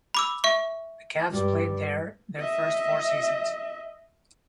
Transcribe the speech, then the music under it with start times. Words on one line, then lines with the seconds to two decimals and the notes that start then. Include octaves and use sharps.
The Cavs played there their first four seasons.
0.14 B5 D6 E6
0.44 E5 C#6
1.30 G2 G3
2.38 D#5 E5